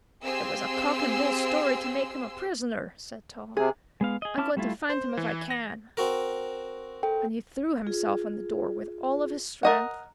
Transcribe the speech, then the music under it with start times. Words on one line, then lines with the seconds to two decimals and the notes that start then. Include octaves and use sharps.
"It was a cock-and-bull story to make him a prisoner," said Tom. "I'm going to find him if I can," and he threw himself on the door with all of his strength.
0.24 C4 G4 G#4 F5 C6 E6
3.57 C3 G#4
4.01 G#3 B3 F5
4.22 G#4 D#5
4.38 C#4 E4 A5 D6 F6
4.57 G3 A3 E4 F4
4.90 C5
5.17 E3
5.50 A#6
5.97 C4 F#4 A#4
7.03 A4 G5
7.87 F4 G#4
9.63 A#4 D#5 F#5